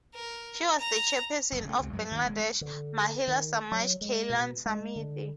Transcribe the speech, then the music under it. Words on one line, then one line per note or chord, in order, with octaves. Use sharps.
She was the Chairperson of Bangladesh Mahila Samaj Kalyan Samiti.
A#4
A#5
F#1
C#3 A3
C#2 C3
G2 F#3 G#3
D2 G2 D#3
E1 G#3
D3
D#3
F#3
G#3
B2
G#3
D3